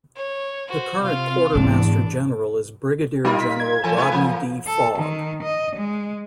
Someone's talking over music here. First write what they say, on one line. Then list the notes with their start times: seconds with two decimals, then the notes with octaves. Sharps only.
The current Quartermaster General is Brigadier General Rodney D. Fogg.
0.16 C#5
0.68 F#4 C5
1.03 C3 F4 F5
1.55 E2 G#2 D3 D4
3.25 G3 D#4 F4 A#4
3.40 B6
3.60 G#6
3.84 E3 A4 G#5
3.96 G#3 E4 B4
4.12 E3 A#3
4.67 A4
4.99 D#3
5.43 D#5
5.76 G#3